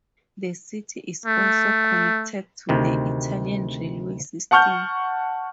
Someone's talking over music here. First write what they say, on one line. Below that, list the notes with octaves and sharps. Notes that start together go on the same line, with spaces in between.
The city is also connected to the Italian railway system.
A3
D2 C3 D#3
F#5 A5 C#6 F6 G6